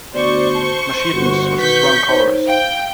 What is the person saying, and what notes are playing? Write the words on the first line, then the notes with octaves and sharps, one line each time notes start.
Machetanz was a strong colorist.
D2 B3 F#4 C5 D5 C#6
A5
G1 F#4
B2 D#3 B4 C#6 G6 B6
D#4 C5 C#5
F5 G5